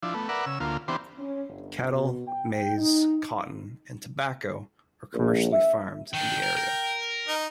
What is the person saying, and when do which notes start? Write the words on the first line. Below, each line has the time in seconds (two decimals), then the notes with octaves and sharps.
Cattle, maize, cotton and tobacco are commercially farmed in the area.
0.03 F3 D4 E4
0.14 A3 B3
0.29 A#4 B4 D5 E5 F#5
0.46 C#3 E6
0.60 D2 A#3 F4
0.88 E3 B3 C4 D4 G4 C5
1.18 C#4
1.49 G1
1.91 B2
2.27 G5
2.77 D#4
5.14 A#1
5.53 E5
6.14 D#3 D4 G5
6.43 A#4
6.57 A#4
7.28 D#4